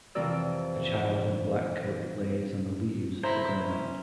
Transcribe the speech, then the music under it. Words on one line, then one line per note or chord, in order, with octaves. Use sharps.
A child in a black coat lays on the leaves on the ground.
F2 C3 E3 A#4 D5 E6
E4 C5 A#5
C#4